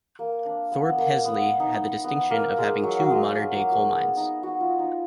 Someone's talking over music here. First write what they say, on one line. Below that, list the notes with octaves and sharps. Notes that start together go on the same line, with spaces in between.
Thorpe Hesley had the distinction of having two modern-day coal mines.
A#3
D4
B3
B3
A#3
B3
D#4
B3
A#3
G#3
F#3
F#3
G#3
F#3
F#3
G#3
B3
D#4
F#4
F4
D#4